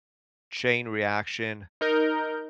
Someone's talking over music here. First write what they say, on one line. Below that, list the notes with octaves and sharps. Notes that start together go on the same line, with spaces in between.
chain reaction.
D#4 A#4 G6